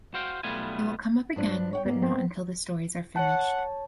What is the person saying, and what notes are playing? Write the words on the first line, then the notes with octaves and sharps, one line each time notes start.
They will come up again but not until the stories are finished.
F#4 C5 F5 G5
B1 G3 A3 B3 F4 G#5
G2 F3 D4
C#5 F#5 G5
G#2 A#3 B3
C4
C#5 F#5 A5